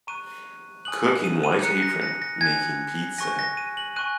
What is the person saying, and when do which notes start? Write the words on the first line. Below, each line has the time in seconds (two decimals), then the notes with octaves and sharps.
Cook in white apron making pizza.
0.07 A#5 C#6 F#6 D#7
0.85 G#5 D#6 F#6 F#7
1.24 D#7
1.44 D#7
1.63 A#5 F#6 C#7
1.82 A#6
2.02 A#6
2.22 A#6
2.41 G#5 F#6 G#6
3.18 G#5 C#6 F#6 A#6
3.39 A#6
3.57 D#7
3.77 F#7
3.96 G#5 C#6 F#6 D#7